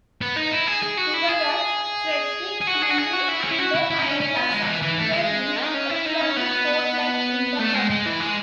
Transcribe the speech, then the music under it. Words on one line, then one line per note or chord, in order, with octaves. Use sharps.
Together Frederick Henry and Amalia succeeded in expanding court life in The Hague.
B3
D#4
E4
G#4
G#4
F#4
E4
G#4
G#4
F#4
G#4
F#4
G#4
F#4
E4
G#4
E4
F#4
E4
E4
D#4
C#4
C#4
B3
G#3
F#3
E3
E3
A3
G#3
D#4
C#4
E4
D#4
C#4
B3
A3
G#3
G#3
E3
G#3